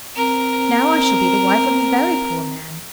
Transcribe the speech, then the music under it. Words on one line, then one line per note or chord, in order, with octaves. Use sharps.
Now I shall be the wife of a very poor man.
C4 A#4